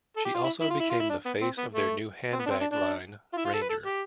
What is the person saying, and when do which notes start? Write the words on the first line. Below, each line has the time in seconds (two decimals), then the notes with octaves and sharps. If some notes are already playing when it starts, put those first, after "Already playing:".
She also became the face of their new handbag line, Ranger.
0.16 A4
0.25 G4
0.34 F4
0.44 E4
0.60 E4
0.70 F4
0.80 E4
0.90 F4
0.99 E4
1.09 D4
1.25 B3
1.42 C4
1.58 B3
1.74 A3
2.33 C4
2.39 B3
2.46 D4
2.50 C4
2.61 D4
2.72 D4
3.33 F4
3.37 E4
3.45 F4
3.53 A4
3.61 B4
3.69 A4
3.86 G4